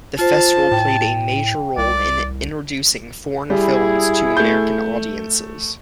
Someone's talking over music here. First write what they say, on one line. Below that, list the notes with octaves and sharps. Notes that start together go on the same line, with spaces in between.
The festival played a major role in introducing foreign films to American audiences.
F4 C5 A5
A2 G5
C2 D5
G3 E4 G#4
A3 G6